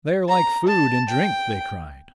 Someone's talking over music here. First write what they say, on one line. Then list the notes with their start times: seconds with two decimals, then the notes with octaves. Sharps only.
"They are like food and drink," they cried.
0.29 A#5
0.68 A5
1.08 G5